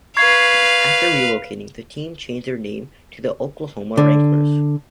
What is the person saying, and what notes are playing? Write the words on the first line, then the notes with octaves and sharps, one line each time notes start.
After relocating, the team changed their name to the Oklahoma Wranglers.
B4 F5 C#6 G#6 C7
D3